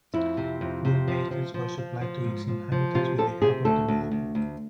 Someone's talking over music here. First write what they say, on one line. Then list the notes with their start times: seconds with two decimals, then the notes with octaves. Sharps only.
Food and medicines were supplied to its inhabitants with the help of the military.
0.14 F2 E4
0.37 C3
0.61 F2
0.85 C3
1.08 F3
1.31 F3
1.54 F3
1.78 F3
2.01 F3
2.24 G#2
2.48 F3
2.72 F3
2.95 C3 F4
3.18 F3 A4
3.42 C3 G#4
3.65 D2 A4
3.88 D2
4.12 D2
4.35 D2